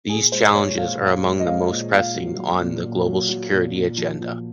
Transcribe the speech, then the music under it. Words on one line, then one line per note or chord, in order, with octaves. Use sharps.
These challenges are among the most pressing on the global security agenda.
A#2 G#4
G#3 C5
G#3 C#5
A#2 F5
A#2 F5
G#3
D#5
G#3 F5
A#2
A#2 F5
F#3
F#3
A#2
A#2
F#3
F#3
A#2
A#2
F3
A#2